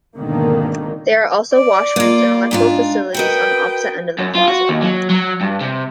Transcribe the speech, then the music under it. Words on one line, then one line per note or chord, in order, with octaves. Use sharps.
There are also washrooms and electrical facilities on the opposite end of the plaza.
G#1 B2 D3 D#3 A#3
D5
A#3 F4
G#2 D4 F4
F#4 A#4 B4 D#5 G5
F#2
F4
F#4
D#2
F#3
F#3
G2
C3